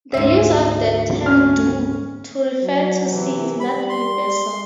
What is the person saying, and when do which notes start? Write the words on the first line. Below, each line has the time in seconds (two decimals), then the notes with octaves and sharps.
The use of the term "Do" to refer to C is not universal.
0.14 D2 G#2 E5
1.26 C#4 F6
2.63 F#3
3.11 C3 E3
3.60 G3 B5
3.89 C6